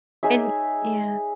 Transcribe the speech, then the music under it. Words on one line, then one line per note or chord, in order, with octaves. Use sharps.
And yeah.
D#4 G#4 C#5 E5